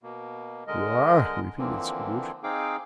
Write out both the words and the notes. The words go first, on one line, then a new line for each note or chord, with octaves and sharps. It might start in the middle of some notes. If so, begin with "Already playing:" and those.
"You are?" repeated Scrooge.
B2 A#3
D3 G#3 A#4 D#5
D3 E3 F3 A#3 C4
C4 D#4 G#4 F5 G5 D6